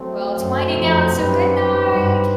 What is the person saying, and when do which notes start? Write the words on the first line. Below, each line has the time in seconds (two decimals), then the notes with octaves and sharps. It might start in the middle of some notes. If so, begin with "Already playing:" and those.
well, it's winding down, so good night.
Already playing: F#3 A3 C4
0.38 F#2
0.76 F2
1.14 F#2 G3 C4 D#4 G4 B4
1.92 G2